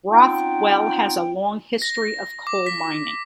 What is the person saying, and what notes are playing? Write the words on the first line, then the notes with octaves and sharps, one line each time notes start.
Rothwell has a long history of coal mining.
C4 C#4 D#4 F4 F#5 G5
A#6
D6
B6